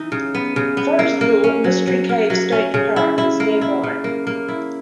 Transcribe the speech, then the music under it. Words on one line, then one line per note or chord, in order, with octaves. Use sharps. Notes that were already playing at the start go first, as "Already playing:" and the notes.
Forestville Mystery Cave State Park is nearby.
Already playing: E3 D#4
C#3
B3
C#3
B3
A#3
A#3
C#4
F#3
F#3
A#3
F#3
C#4
C#3
E4
E4
A#3
E4
C#3
A#3
A#3
E4